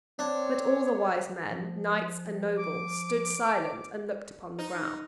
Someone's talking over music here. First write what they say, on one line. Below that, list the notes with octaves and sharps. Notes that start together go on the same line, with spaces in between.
But all the wise men, knights and nobles, stood silent and looked upon the ground.
C4 D4 C#5
F3
D6
D#4